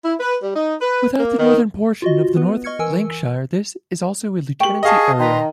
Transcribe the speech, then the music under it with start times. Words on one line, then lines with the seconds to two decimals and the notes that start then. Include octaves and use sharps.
Without the northern portion of North Lanarkshire, this is also a Lieutenancy area.
0.05 E4
0.20 B4
0.43 G3
0.56 D#4
0.82 B4
1.20 A#3
1.39 D#3
2.02 F4 F#4 D#5
2.36 B3 B4
2.64 D#5 C#6 F6 G#6 C#7
2.79 E3 A#4 G#5 E6
4.60 G4 A#4 G5 C#6 F#7
4.83 G#4 D#5 F5 A5 C#6
5.19 D#3 B4 A#5 C6